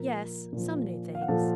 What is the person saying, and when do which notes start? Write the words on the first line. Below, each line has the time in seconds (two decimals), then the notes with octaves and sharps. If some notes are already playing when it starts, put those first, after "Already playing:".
'Yes, some new things.
Already playing: A#2 F3 A#4 A#5
0.53 A#2 F3
1.15 F5
1.21 F#5
1.28 A#2 F3 A4 A5